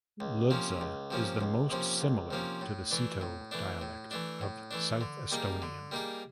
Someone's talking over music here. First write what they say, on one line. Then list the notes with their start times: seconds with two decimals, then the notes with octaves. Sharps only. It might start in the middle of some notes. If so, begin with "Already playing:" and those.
Ludza is the most similar to the Seto dialect of South Estonian.
0.20 C#2
0.50 C3 F3 A#3 C#4
0.81 C#2
1.11 C3 F3 A#3 C#4
1.41 C#2
1.71 C3 F3 A#3 C#4
2.01 C#2
2.31 C3 F3 A#3 C#4
2.61 A2
2.91 E3 A3 D4
3.21 A2
3.51 E3 A3 D4
3.81 A2
4.11 E3 A3 D4
4.41 A2
4.71 E3 A3 D4
5.01 D3
5.31 G3 A#3 D#4 G#4
5.62 D3
5.91 G3 A#3 D#4 G#4